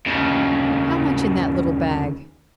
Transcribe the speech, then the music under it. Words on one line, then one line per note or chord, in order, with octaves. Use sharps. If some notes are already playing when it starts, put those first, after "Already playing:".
"How much in that little bag?"
D#2 C#3